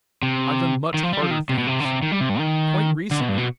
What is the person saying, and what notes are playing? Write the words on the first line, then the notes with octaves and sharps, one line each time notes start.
I've done much harder things. Quite recently.
C3
D#3
F3
G3
F3
D#3
C3
B2
C3
D3
C3
D#3
G3
C3
G2
D#3
D3
B2
G2
B2